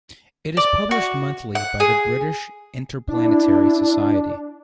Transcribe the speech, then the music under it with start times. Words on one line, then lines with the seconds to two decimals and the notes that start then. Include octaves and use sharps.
It is published monthly by the British Interplanetary Society.
0.57 D5
0.91 F#4
1.55 F#5
1.80 G#4
3.08 D4 E4